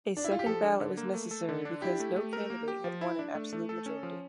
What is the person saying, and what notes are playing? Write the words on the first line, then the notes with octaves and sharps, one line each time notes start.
A second ballot was necessary because no candidate had won an absolute majority.
D4
E4
F4
G4
F3 A4
D4
D3
A#3
A3
A4
D3
D4
E4 G4
A3
A3
A#4
A#3
G4
F3
E4
D4
A3
A3
A4
C#4
F3